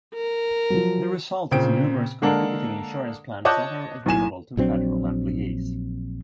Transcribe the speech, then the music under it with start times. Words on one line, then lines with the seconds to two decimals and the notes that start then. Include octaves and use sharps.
The result is numerous competing insurance plans that are available to federal employees.
0.14 A#4
0.70 F3 F#3
1.51 A#2 C#3 C4 C5 G5 D7
2.22 D3 G#3 A#3 D4 A4 A#4
3.45 C#5 D#5 A5 D6 F#6 G6
4.06 B1 A2 G#5 E7
4.57 A#1 F#3 C4 D4